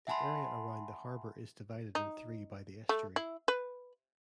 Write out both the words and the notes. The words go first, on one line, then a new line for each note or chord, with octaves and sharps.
The area around the harbour is divided in three by the estuary.
E5 F#5 G#5 A5 B5 C6
D#4
A3
E4
B4